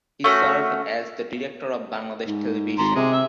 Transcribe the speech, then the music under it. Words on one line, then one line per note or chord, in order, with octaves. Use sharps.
He served as the director of Bangladesh Television.
A3 C#4 F#4
G#2
G#1 A#5 C6
C3 G#3
E5